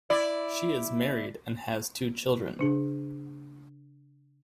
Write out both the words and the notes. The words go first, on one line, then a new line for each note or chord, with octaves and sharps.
She is married and has two children.
E4 D5
C#3 D4 G#4